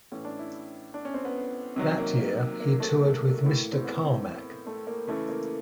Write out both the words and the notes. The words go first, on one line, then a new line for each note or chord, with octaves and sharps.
That year he toured with Mister Carmack.
A2 E3 C#4
D4
E4
D4
C#4
C4
B3
C3 D#3 F#3
A#3
A#3
A#3
A3
A#3
A2 E3
C4
B3
C4
A3
A#3
C#3 E3 A3
A#3